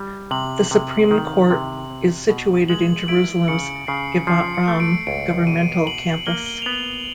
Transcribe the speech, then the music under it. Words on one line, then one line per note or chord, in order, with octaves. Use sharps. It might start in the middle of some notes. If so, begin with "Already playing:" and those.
The Supreme Court is situated in Jerusalem's Givat Ram governmental campus.
Already playing: G3
C3 F#7
C3 F#7
D#3
C3
C4
B2
G#3 F#7
E4 D7
C#3 C#7
C#3 C7
F3 C7
C#7
A3
D7
C#2 D7
B2 D#7
B2 F#7
A#3 G7
G7
F7
B3 F#7